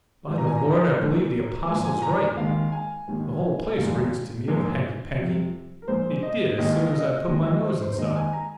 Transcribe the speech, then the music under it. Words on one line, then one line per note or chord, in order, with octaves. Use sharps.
'By the Lord, I believe the Apostle's right,--the whole place reeks to me of hankey-pankey,--it did as soon as I put my nose inside.
G#1 G#2 D#3
A#5
G#5
A#5
A#1 A#2 G#3
A#1 G#2 F3 G#3 G#5
G#5
A#5
D#2 D#3 G#3 F5
G#5
D#2 D#3 G#3
F1 D#2 D#3 G#3 F5
A#1 G#2 G#3
F2 C3 F3
A#4
A#1 A#2 G#3 C5
D#5
D#2 D#3 G#3 D#5
D#5
D#2 D#3 G#3
D#5
C5
C5
C5
D#2 D#3 G#3 D#5
G#5
A#5